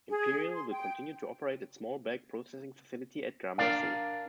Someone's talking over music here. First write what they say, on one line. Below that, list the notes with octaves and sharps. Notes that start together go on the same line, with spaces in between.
Imperial will continue to operate a small-bag processing facility at Gramercy.
G#4
C6
G5
D4 A#4 D5 F5